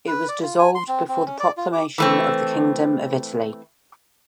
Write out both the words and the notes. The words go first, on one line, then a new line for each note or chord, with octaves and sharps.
It was dissolved before the proclamation of the Kingdom of Italy.
B4
D5
F4
G#5
C6
C4
C4
C#4
D5
F4
D6
E3 A3 C4